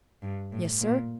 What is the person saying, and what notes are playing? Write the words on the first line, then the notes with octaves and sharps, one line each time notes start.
"Yes, sir."
G2
A2
A#2